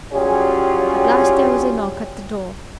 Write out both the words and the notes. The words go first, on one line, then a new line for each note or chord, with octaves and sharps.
At last there was a knock at the door.
F#3 G3 C#4 F4 G4 G#4